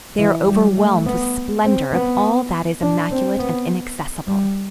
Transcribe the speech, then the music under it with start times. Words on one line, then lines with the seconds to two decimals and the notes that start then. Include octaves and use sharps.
They are overwhelmed with splendor of all that is immaculate and inaccessible.
0.19 E3
0.47 G3
0.77 A3
1.06 B3
1.64 C4
1.93 B3
2.82 D4
3.10 C4
3.39 B3
4.27 G3